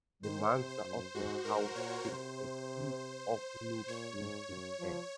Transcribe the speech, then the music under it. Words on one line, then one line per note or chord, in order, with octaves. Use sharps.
The master of the house takes a piece of meat in his hand.
D#3 C5
C3
C5
F#2
G#2 F#4
G#2 A#4
A#2 C#5
C3 C5
A#2 C#5
G#2
F#2
F3